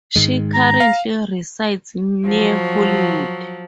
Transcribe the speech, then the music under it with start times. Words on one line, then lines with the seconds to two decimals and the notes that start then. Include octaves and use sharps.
She currently resides near Hollywood.
0.16 G#2 D#3 G#3
0.54 A#5
0.80 F5
2.26 F3 F#3